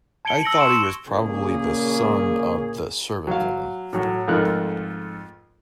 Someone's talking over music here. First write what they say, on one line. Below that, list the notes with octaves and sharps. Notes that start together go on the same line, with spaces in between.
I thought he was probably the son of the servant-woman.
A5 G#6 C#7 D7 G7
E6 A#6 D7 F#7
C6 C#6 C#7 E7
A#2 C#3 A#3 C#4 G#4
F#3 F5
A2 F#3
F2 G#2 A3 F4 A#4 F#6